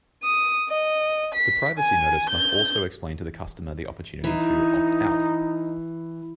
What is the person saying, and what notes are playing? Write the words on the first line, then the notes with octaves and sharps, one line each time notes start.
The privacy notice must also explain to the customer the opportunity to 'opt out'.
D#6
D#5
B6
G#5
G6
E3 D#4